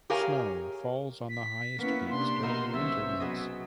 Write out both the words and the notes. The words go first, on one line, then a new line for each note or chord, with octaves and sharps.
Snow falls on the highest peaks during the winter months.
G4 G#4 A#4 C#5 F5 G#5
B6
A#3 B3 C#4 E4
C3 D4 C6
B3 D#4 A#4 E5
B1 C#4 C5 E5
F#3 B3 G#4 D#5